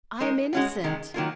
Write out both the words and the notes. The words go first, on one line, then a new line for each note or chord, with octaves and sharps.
"I am innocent."
G#3 D#4 A#4
G#3 C#4 F#4
C3 D#3 G#3
D#3 F#3 A#3 F4